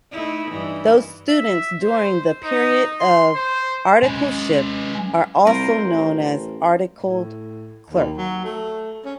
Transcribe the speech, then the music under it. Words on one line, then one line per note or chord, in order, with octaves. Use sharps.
Those Students during the period of articleship are also known as Articled Clerk.
A3 D#4 E4
G2 E3 D#4
E5
C5
D#4
C6
C5
G#3 C#4 B4
C2 F4 A#4 C5
A1
A2
D#2
F#3
A3
C#4